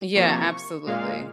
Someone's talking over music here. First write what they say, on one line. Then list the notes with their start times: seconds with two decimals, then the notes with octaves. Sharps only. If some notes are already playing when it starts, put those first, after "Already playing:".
Yeah, absolutely.
0.15 C3 F3 A#3 C#6
0.86 A#2 G#3 F5